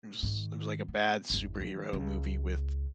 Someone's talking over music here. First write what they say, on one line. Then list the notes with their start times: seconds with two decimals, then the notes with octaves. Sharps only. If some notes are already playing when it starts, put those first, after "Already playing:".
it was it was like a bad superhero movie with,
0.23 G#2 D#3
0.88 B3
1.30 G1 E2
1.60 D#3 F3
1.93 C#2